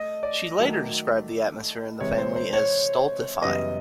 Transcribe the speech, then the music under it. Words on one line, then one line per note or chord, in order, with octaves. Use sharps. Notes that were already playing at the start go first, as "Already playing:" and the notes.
She later described the atmosphere in the family as "stultifying".
Already playing: A3 D#5
D5
D#3 F#3 A3
C3 E3 G#3 C#5
C5
C5
C#5
F#2 C#3 E3 G3 B3 D#5